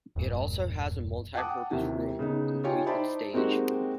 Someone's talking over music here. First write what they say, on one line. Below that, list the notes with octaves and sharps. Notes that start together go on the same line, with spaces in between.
It also has a multipurpose room, complete with stage.
E1 G2 A#2
F#5 G5 A5 D6 D#6
D#2 C3 D#3 E3
C#3 B3 D#4
D#4 F4 G4 C#5 G5 G#5
D#4 E4 C5 D5 A5 B5
G#3 A#3 C4 D#4 F#4 G4